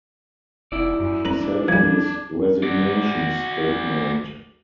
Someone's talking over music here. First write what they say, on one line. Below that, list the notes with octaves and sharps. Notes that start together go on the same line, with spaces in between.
He said in his resignation statement.
F1 E4 D5
F#2
B4 A#5 B5
D4
F3 G3 G#6
F#4 D5